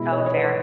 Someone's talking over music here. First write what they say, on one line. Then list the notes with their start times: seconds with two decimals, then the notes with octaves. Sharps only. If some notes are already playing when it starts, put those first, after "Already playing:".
Oh, fair.
Already playing: B2 G#3 E4
0.12 C#5
0.18 D#5
0.26 C#5
0.33 B4
0.44 C#5